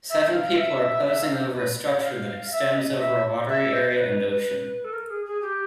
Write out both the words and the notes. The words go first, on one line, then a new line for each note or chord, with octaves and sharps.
Seven people are posing over a structure that extends over a watery area and ocean.
E5
F5
E5
E5
F5
B4
C#5
F5
E5
D#5
E5
E5
C5
B4
A4
A#4
G#4
G#4
G4